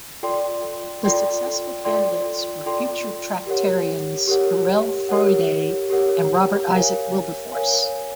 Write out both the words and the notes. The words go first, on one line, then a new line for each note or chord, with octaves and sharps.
The successful candidates were future Tractarians Hurrell Froude and Robert Isaac Wilberforce.
F4 A4 D5 G5 C6
F4 A4 D5 G5 C6
F4 A4 D5 G5 C6
F4 A4 D5 G5 C6
G4 A#4 C#5 F#5
G4 A#4 C#5 F#5
G4 A#4 C#5 F#5
G4 A#4 C#5 F#5
A#4 C#5 F5 G#5
A#4 C#5 F5 G#5